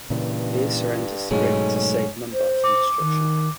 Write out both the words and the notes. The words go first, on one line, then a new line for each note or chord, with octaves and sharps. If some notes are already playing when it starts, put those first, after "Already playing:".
Veer surrenders the ring to save Mumbai from destruction.
G2 A#2 C#3 E3
G#2 B2 F#3 A3 C#4
C#4
C5
D6
D#3